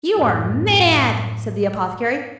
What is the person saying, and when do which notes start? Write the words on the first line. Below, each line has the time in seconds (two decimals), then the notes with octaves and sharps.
'You are mad!' said the apothecary.
0.15 F#2 A2